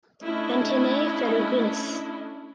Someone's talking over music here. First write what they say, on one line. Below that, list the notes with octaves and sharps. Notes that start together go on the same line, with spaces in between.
Antennae ferruginous.
A3 C#4 D4 E4 D#5